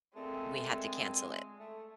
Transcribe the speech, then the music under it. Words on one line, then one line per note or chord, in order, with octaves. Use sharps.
We had to cancel it.
A#2 D3 G#3 A3 C4
A3